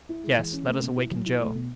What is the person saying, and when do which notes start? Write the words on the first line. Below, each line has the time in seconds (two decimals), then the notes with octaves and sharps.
"Yes, let us waken Joe."
0.09 E4
0.23 G#3
0.38 E3
0.52 C#4
0.67 A3
0.82 B2
0.97 E4
1.11 F#3
1.26 E4
1.40 A3
1.55 B2